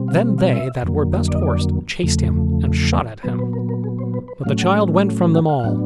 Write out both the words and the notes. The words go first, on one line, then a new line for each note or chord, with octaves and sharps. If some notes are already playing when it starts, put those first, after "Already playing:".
Then they that were best horsed chased him, and shot at him, but the child went from them all.
Already playing: B2 G3 C4
F5
F5
E5
F2 D3 F#3 A#3
D#5
D5
D#5
D5
E2 C#3 F3 A3
A#2 F#3 B3 B4
B4
A#4
A#4
G#4
C5
B4
B4
A2 F#3 A3 C#4 F5
F#5
F#5
F5
F5
A2 F#3 B3 D4 F#5